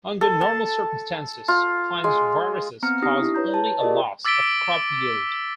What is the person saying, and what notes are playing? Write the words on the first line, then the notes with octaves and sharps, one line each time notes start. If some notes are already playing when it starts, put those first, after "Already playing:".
Under normal circumstances, plant viruses cause only a loss of crop yield.
A4
A5
F4
G#3
B3 C4 A#5 F6 C#7
D4 D#4 G4 D#6 A#6 C7
E4
B4 C#5 A#5 G6
A5
F4 G4 G#4 A#4 D5 D#5
D6 E6 A6 B6 D7 G7